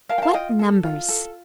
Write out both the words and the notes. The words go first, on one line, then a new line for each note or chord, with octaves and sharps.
What numbers!
A#4 F5 A5
G5
F5 A5
F4 D#5 G5
A4
F4
A4